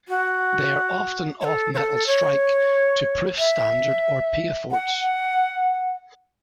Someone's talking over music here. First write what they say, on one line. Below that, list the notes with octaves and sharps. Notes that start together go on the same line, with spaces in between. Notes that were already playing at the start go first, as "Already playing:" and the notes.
They are often off-metal strike, to proof standard or piedforts.
F#4
C#5
A4
C#5
A4
C#5
E5
F#5